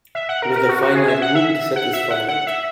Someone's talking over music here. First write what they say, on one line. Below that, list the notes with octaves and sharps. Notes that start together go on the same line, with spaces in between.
With a finite group, the set is finite.
E5
F#5
A#4
A#4
F#4
F#4
G#4
E5
F#5
E5
E5
F#5
E5
F#5
F#5
E5